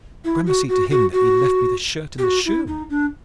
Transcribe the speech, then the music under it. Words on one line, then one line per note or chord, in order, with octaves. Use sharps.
Gramercy to him that he left me the shirt and the shoon.
E4
F#4
F#4
F#4
F#4
G4
F#4
E4
D#4
D4